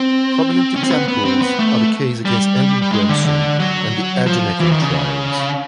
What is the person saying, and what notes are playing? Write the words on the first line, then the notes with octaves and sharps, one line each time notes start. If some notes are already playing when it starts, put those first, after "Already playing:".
Prominent examples are the case against Andrew Brunson and the Ergenekon trials.
Already playing: C4
C#4
C4
B3
B3
C4
B3
A3
G3
G3
G#3
D3
D3
F#3
F3
E3
D#3
C#3